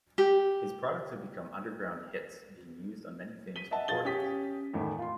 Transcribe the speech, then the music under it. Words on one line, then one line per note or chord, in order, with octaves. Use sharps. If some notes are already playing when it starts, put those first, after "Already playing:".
His products have become underground hits, being used on many famous recordings.
G4
B6 D#7 G7
D#5 E5 F#5 A5
B2 F4 G#4 A6 G7
C#4 G4 D#6 B6
E2 A2 D#3
F4 C6